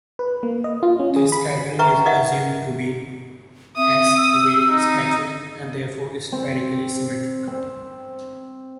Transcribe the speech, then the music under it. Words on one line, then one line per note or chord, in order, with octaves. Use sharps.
The scattering is assumed to be "s"-wave scattering, and therefore spherically symmetric.
B4
A#3
D#5
F4
C#4
G#4
B5
B4 E5 G5 A#5 C#6
D#4 A#4 D#5 E5 F#5
C4 E5 D#6
E6
D#4
C4
C4